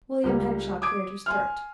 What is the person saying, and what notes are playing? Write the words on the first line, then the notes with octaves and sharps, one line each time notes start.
William Henshaw cleared his throat.
C#2 G3 A#3
D6 D#6 G#6 D7
G#5 C6 F6